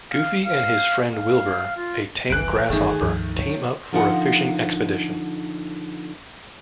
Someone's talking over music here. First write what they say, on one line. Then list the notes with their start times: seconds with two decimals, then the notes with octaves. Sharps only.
Goofy and his friend Wilbur, a tame grasshopper, team up for a fishing expedition.
0.12 F5
0.46 F5
1.13 F5
1.76 F4
2.30 F#1 C2 F#2 E3 F#6 D7
2.70 G1 E2 D#3 A3 G#4
3.02 C#2 G2 F3
3.33 F#3
3.92 D3 F3 D#4 F4 A#4 F#5